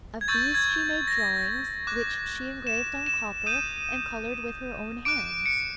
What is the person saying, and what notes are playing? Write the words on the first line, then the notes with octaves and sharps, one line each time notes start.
Of these she made drawings, which she engraved on copper, and coloured with her own hands.
G#6
C#6 E6 G6 A6
G#6
A#6
D6 F#6
E7
E7
D#6 G6 D#7
D6 F#6 D7
C#7